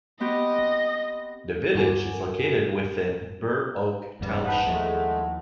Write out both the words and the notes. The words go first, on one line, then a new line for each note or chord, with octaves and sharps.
The village is located within Burr Oak Township.
B3 C4 G4 D#5
G2 F#4 A#4 G#5
E1 G2 C#3 G3 B3
D#4 B4 F#5 A5
D#2 F3 G#3 A3